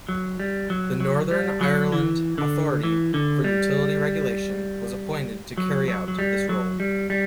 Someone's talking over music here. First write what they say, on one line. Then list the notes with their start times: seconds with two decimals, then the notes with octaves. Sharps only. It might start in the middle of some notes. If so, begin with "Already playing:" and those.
The Northern Ireland Authority for Utility Regulation was appointed to carry out this role.
0.09 F#3
0.40 G3
0.70 F#3
1.00 F#3
1.31 G3
1.61 F#3
1.92 E3
2.38 D3
2.83 E3
3.14 D3
3.44 G3
5.58 F#3
5.88 F#3
6.08 F#3
6.19 G3
6.49 F#3
6.80 G3
7.10 G3